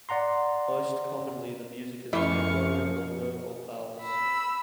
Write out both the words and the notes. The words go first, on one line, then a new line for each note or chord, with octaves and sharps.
Most commonly the music is tango, milonga or vals.
D5 F#5 A#5 C6
F#2 E3 F3 A3 E4 F5 C#6
B5 E6